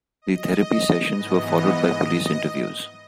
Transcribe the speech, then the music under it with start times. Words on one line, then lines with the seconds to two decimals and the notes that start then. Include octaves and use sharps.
The therapy sessions were followed by police interviews.
0.22 D#5
1.12 G#2 E3 B3 D#5